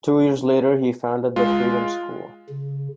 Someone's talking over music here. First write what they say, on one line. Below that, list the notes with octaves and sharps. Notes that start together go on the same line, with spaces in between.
Two years later he founded the Freedom School.
G#3 F4
C#3